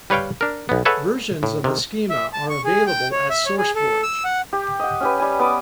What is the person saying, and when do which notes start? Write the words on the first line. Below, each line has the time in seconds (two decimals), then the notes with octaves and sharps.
Versions of the schema are available at Sourceforge.
0.10 G3 B4 C#5 F5 G5
0.41 D4 A#4
0.69 B1 B3
0.85 G#4 A4 B4 C#5 E5 F#5
1.43 A2
1.64 C3 D#3
2.10 E5
2.33 A5
2.49 C#6
2.64 G#4
2.87 G5
3.11 C#5
3.30 E5
3.46 C#5
3.58 G#4
3.76 A4
4.03 E6
4.25 F#5
4.53 G4
4.79 D#5 F#5
5.01 C#4 G4 B4
5.20 G3 G#5
5.39 B3 D6 D#6